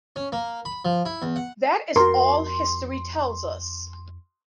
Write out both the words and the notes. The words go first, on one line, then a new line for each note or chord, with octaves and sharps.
That is all history tells us.
C#4
A#3
B5
F3
E4
E2
F#5
F2 F#4 A#4 C6